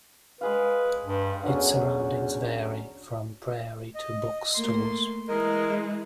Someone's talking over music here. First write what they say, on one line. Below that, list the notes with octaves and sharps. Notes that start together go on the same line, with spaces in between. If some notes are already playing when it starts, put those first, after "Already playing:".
Its surroundings vary, from prairie to box stores.
G#3 G#4 B4 F5
G2
E2 D3 F#3 C#4
D#5
A3 A#3 C6
E3 G#3 A#4 D#5